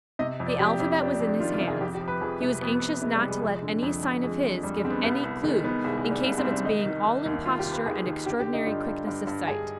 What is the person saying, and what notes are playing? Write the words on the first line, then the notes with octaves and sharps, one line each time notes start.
The alphabet was in his hands; he was anxious not to let any sign of his give any clue in case of its being all imposture and extraordinary quickness of sight.
C3 D#5
F2
D5
F2 G4
F2
F2 D4
D4
F2
D4
D#3 F4
F4
C3
G#4
F2 G4
G4
F3
B4
F2 G#4
C3
F2 B3
F2
C3 G#3
G3
C3
G#3
F2
D3
F2
F2
F2 G#3
D3
F2 G3
G#3
D3 C4
B3
C2 B3
C2
D#3 G#3
D#3 B3
C2 G#3
G#3
C2
G3
C2 G#3
C4
C2
D4
D#3 D#4
D#3
D#3
D#2
D#2 F4
G4
D#2
B4
D#3 G#4
D#3
D3 G4
G4
D3
D#4
G2 F4
G2
G2
G2
G2 G#4